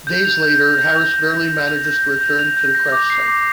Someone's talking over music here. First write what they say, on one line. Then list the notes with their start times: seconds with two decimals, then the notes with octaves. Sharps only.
Days later, Harris barely manages to return to the crash site.
0.07 G6
0.25 F7
0.43 G6
0.60 A#6
0.79 G6
0.96 F7
1.14 G6
1.31 A#6
1.50 G6
1.68 F7
1.85 G6
2.03 A#6
2.21 G6
2.39 F7
2.57 G6
2.75 A#6
2.92 D6
3.10 C7
3.28 D6